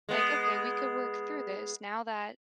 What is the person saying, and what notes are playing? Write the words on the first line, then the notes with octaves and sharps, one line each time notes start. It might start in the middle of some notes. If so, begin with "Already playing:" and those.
Like, "Okay, we could work through this now that
G#3 B3